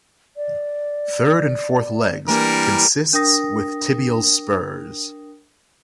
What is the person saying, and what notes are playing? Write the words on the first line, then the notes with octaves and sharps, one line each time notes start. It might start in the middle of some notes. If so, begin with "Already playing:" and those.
Third and fourth legs consists with tibial spurs.
D5
E3 G3 A#3 D4 A#4
D4 A#4 G5 D#6 A#6